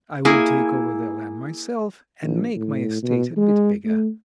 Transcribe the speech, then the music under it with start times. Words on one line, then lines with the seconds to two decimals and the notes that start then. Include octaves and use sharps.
I would take over their land myself, and make my estate a bit bigger.
0.25 A#3 E4 G#4 G#5
2.23 A#1
2.56 A2
3.03 B2
3.37 G#3
3.85 A3